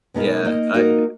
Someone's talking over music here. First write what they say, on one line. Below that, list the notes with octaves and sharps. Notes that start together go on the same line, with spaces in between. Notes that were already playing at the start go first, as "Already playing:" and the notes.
Yeah. I hate it.
B2 G#3 B3 D#4 A#4
A#3 D#4 A#4 D#5
A#3 D#4 F#4 A#4 D#5